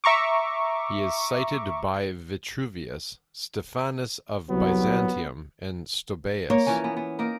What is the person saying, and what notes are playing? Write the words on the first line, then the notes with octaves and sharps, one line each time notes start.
He is cited by Vitruvius, Stephanus of Byzantium and Stobaeus.
E5 A#5 C#6 D6
C2 F#3 B3
A#3 C#5
E3 F3 C#4
B3
B3
A#3 D#4 A#4